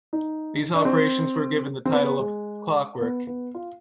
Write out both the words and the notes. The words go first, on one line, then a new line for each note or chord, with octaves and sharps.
These operations were given the title of "Clockwork".
D#4
D4
C4
C4
B3
G#3
B3
B3
F4